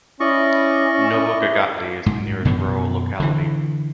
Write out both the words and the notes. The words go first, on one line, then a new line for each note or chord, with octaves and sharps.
Novogagatli is the nearest rural locality.
C#4 E4 D5 D#5 C#6
G#2
F#2 B2 D#3 F3
D3 E3